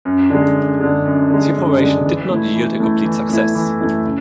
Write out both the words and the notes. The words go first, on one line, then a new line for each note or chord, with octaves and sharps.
The operation did not yield a complete success.
F#2
D3 G#3
F#2
D3 G#3
F#2
D3 G#3
F#2
D3 G#3
E3
A3 E4
E3
A3 E4
E3
A3 E4
E3
A3 E4
C#3